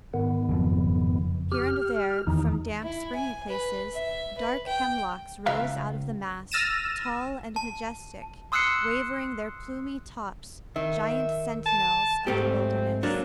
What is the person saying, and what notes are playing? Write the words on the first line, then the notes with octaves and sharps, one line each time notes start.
Here and there, from damp, springy places, dark hemlocks rose out of the mass, tall and majestic, waving their plumy tops, giant sentinels of the wilderness.
G#2 D#3 B3
F#1 F2 F3
G4 F6
E2 D#3 E3 D#4
E4
G#5
B4
E5
B4
G5
C#2 B4 E5 F5 A#5
E6 F6 A6 A#6 D#7 E7
A5
C6 D#6 E6 F#6 C7 C#7
D#3 E5
A5
G#2 A3 C4 G4
F#3 A#3 D4